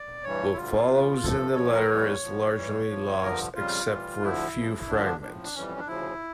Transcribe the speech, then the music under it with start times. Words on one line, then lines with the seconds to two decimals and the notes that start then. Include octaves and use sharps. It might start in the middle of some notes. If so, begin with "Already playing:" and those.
What follows in the Letter is largely lost except for a few fragments.
Already playing: D5
0.23 G2 E3 G3 C#5
0.52 E4
0.56 D2 D3 G3 F4
0.90 A2 F3
1.23 G2 F3 A4
1.56 A2 F3 C#5
1.73 A#4
1.89 E2 E3 G3 C#5
2.23 A2 F3
2.55 G2 E3 G3
2.89 G2 F3
3.22 G2 D3 F3 A#4
3.56 F2 C#3 G3 F4
3.89 A2 E3 G3
4.22 D2 D3 F3 E4
4.55 D2 C#3 F3
4.88 D2 D3 F3 D4
5.05 D4
5.21 A2 F3 D4
5.43 D4
5.55 F2 E3 G3 C#4
5.71 C#4
5.79 D4
5.87 D2 C#3 F3 E4